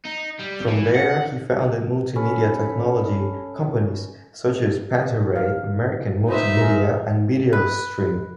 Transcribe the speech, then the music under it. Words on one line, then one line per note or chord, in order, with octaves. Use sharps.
From there he founded multimedia technology companies such as Pantaray, American Multimedia, and VideoStream.
D#4
G3
E3
F#5
C#4 A4 B4 B5
F5
D#4 B4 C5 E5
G#4 A#4
B4